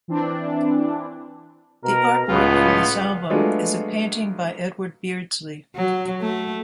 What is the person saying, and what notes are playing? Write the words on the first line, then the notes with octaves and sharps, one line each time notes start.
The artwork for this album is a painting by Edward Beardsley.
E3 C4 D4
B2 A#4
C#2 A2 B3 F4
F#3 G#3 A3 B3 D4 F4
F#3
A3